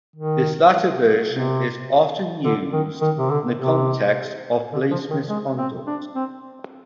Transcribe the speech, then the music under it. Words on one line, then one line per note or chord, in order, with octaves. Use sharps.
This latter version is often used in the context of police misconduct.
D#3
C3
D3
D#3
D#3
C3
D3
C3
D3
F3
D#3
G#3
C4
D4
C4